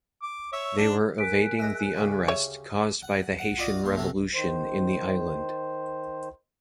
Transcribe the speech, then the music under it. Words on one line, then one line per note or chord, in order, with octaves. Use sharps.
They were evading the unrest caused by the Haitian Revolution in the island.
D6
C#5 E5
D4
A#4 G#5 F#6 B6 D7
G#4 D#5 E5
D2 C#3 G3
C#5 E5
F#5
F#5
F4 F#4 D5 D#5 D#6
A#2 C6
A2 C3 E3 A3 B3
D#3 C5